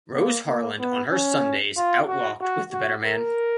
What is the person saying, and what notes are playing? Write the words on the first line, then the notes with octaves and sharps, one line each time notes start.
Rose Harland on her Sundays out walked with the better man.
A#3
A#3
B3
C#4
F4
F#4
F#4
F#4
A#4